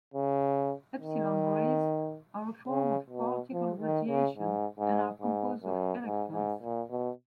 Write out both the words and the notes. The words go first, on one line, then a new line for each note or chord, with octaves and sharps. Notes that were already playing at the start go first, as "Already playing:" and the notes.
Epsilon rays are a form of particle radiation and are composed of electrons.
C#3
D#3
C#3
B2
F3
D#3
C#3
G#2
G#2
G#2
F#2
G#2
G#2
A#2
B2